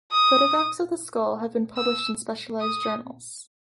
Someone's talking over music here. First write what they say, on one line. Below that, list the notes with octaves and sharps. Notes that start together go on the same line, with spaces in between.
Photographs of the skull have been published in specialized journals.
D#6
E6
D#6